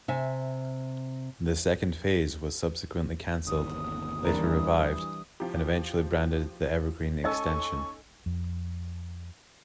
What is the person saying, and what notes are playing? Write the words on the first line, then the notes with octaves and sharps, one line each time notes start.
The second phase was subsequently cancelled, later revived and eventually branded the Evergreen Extension.
C3 E5 G#5
G1 D#2 D#6
E3 G3 D4 A#4
F3 E4 G4
C#4 D#4 A4 D#5 G#5 C#6 E6
F2